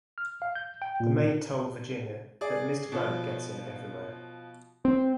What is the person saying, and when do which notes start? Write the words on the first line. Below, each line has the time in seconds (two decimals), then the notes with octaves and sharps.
The maid told Virginia "that Mr Grant gets in everywhere".
0.18 F6
0.42 F5
0.55 G6
0.82 G5
1.00 A#2
2.41 G#4 D5
2.92 B2 F3
4.85 C4